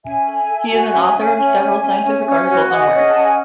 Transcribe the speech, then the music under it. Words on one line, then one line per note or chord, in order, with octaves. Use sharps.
He is an author of several scientific articles and works.
C#4 E5 G#5
A4
A4
F#4
C#4
C#4
C#4
C#4
C#4
C#4
C#4
F#4
G#4 D#5 F#5
C#4
C#4 A5
G#5